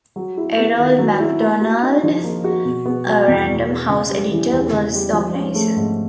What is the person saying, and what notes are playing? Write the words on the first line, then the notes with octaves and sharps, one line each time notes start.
Erroll McDonald, a Random House editor, was the organizer.
F#3
E4
B3
D#3
F#3
E4
A#3
F#4
D#4
F3
A#3
F#4
B2
B3
F#3
E2
B2
B3
C#3
G3
E3
E2
C#3
G3
F3
C#4
A3
G#2